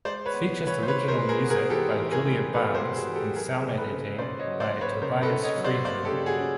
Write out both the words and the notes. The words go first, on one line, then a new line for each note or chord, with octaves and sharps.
It features original music by Julia Barnes and sound editing by Tobias Friedman.
G#3 C5 D5
B4 C#5
B3
E3
B4 C#5
C5
E3 B4 C#5
A#4 C5
G#3
G#4 A#4
B3
G#4 A#4
E3 G4 A4
E3
G#4 A#4
G#3
B3 A4 B4
A#4 C5
E3
F#4 G#4
E3
G4 A4
F#3 G#4 A#4
A#3
A4 B4
C#3
C#4 C5 D5
C#5 D#5
F#3
C5 D5
A#3
B4 C#5
C#3 A#4 C5
A4 B4
C#4
C#5 D#5
F#3
C5 D5
A#3 C5 D5
G4 A4
C#3
F#4 G#4
C#4